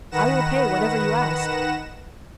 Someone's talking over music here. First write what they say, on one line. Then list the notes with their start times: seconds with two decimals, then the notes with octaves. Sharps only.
"I will pay whatever you ask."
0.11 D#3 B4 F#5 A#6 E7